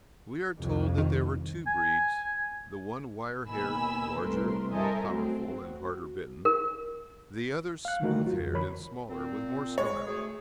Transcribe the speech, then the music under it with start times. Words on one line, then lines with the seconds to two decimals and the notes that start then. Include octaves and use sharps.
We are told that there were two breeds: the one wire-haired, larger, more powerful, and harder bitten; the other smooth-haired and smaller, with more style.
0.57 C2 F2
0.98 D#3
1.67 G#5
3.47 D#2 B2 D#3 G#5 B5 E6
4.19 C2 C3 A3 A#4 B4 C6
4.72 A4 A#4 C5 D#5 E5 G#5
5.07 F#3 A3 C4 A4
5.58 F#4
6.45 A#4
7.85 F5 F#6
8.02 D3 D#3 A3 D#4 F#4 A#4
8.26 F#3 F4 F#4
8.39 F2
8.53 D3 E3 A#4 C#5 B5
9.09 A#2 C4
9.78 G#3 C#5
10.06 D2 A3 G#4